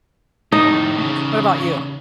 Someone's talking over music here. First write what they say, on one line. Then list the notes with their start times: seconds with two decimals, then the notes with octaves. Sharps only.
what about you?
0.52 F2 A2 D#4
0.96 E2 C#3